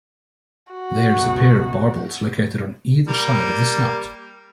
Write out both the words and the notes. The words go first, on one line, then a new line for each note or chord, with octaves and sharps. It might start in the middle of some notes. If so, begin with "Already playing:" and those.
There is a pair of barbels located on either side of the snout.
F#4
C#2 F#2 B2
G3 A#3